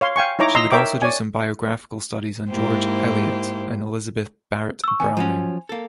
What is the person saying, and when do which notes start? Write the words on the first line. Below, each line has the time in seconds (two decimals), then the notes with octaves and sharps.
She would also do some biographical studies on George Eliot and Elizabeth Barrett Browning.
0.01 C#5 F5 C6
0.16 F5 G5 G#5 C#6
0.39 D#4 E4 C#5 A#5 D6
0.55 D#5 A#5 C6 E6
0.72 A#4 C#5 E5 G5 A#5 D6
1.02 C#5 D5 G#5
2.48 G#2 A#3 E4 G4 C5
4.84 C#6 E6
5.00 D#3 B3 G#5
5.17 F3 F#3 C#4
5.69 A#3 A4